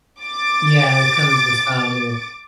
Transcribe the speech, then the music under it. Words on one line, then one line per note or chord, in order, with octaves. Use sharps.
Yeah, it comes with some or
D6 A6